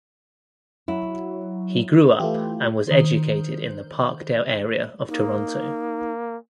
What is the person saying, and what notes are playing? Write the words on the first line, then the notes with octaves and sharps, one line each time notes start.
He grew up and was educated in the Parkdale area of Toronto.
F#3 E4
E3 A3 F4 G4
D#3 C5
A#3 D#4